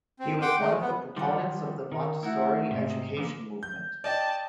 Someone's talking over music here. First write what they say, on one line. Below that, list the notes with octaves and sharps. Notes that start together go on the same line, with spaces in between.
He was one of the proponents of the Montessori education movement.
C4
F#5 G5 C6 D6
G#3 A3
B3
D#3 F3 G3 D5 F#5
D#3 A#4
A3 D#4 E4 F#4 F#5
G#2 C3
D#5
D3 E3 A#3
G6
D5 D#5 G5 A5